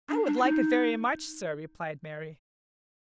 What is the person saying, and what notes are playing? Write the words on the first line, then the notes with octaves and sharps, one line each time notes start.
"I would like it very much, sir," replied Mary.
D4
D4
F4
D#4